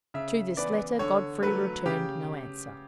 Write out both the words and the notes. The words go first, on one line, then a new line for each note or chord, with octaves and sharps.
To this letter Godfrey returned no answer.
C#3 E5
E3 B3 D5
D3 C#5
F#3 A3 B4
C#3 G4